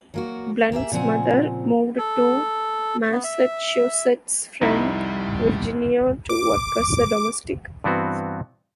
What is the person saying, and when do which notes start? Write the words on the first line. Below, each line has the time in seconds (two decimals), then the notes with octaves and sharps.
Blunt's mother moved to Massachusetts from Virginia to work as a domestic.
0.14 F#3 A#3 F#4
0.72 A#3 G4 G#4 E5
0.92 A#2 C#3 F3 C4 F#5 G#5
1.98 A4
3.12 B3
3.24 E5
4.62 C2 F2 G3 D#4 E4
6.29 D6
7.84 G2 E3 B3 C4 F#4